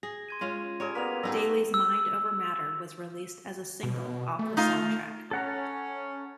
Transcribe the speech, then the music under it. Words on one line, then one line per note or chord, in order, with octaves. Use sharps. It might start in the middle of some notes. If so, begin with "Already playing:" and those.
Daily's "Mind Over Matter" was released as a single off the soundtrack.
G#4 A#6
C6 G#6 D#7
G#3 C#4 F4
G3 G#4 A#4 C#5
A#3 B3 D5 B6 F7
G3 B3 D#4 G#4 A4 D#6 E6 A#6
E6
B2
A3
D#4 F4 F5
C#4 A4 F#5 A#5